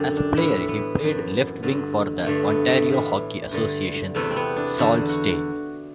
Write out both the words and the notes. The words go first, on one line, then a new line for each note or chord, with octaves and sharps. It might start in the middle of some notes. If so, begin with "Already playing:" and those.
As a player, he played left-wing for the Ontario Hockey Association's Sault Ste.
Already playing: F#2 D3 G4
D4
A2 E3 E4
B3
F#2 E3
G2 D3
G2 D3 A3
B3
A3
A2 E3
G2 D3
E2 C3 E3 A3
C4
B3
D4
E2 D3 F#4
F#4